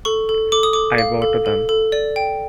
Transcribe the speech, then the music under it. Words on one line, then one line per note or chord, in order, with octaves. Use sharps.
I bow to them.
A4 C#6
A4
A4 D6
D#6
A4 D6
F5
A4
A4
A4
D5
G5